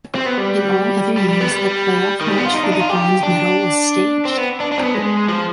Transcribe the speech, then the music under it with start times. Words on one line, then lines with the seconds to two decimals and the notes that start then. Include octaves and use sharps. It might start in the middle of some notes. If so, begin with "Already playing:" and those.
In all other years, a playoff match for the bronze medal was staged.
0.15 C4
0.26 B3
0.38 G3
1.17 G3
1.29 G3
1.40 B3
1.52 G3
2.21 D#3
2.28 G3
2.38 B3
2.46 F4
2.54 D#4
2.63 D4
2.72 D#4
2.80 F4
2.89 G4
3.23 D4
4.25 C4
4.37 B3
4.60 D4
4.72 D4
4.78 C4
4.83 B3
4.95 G#3
5.28 F3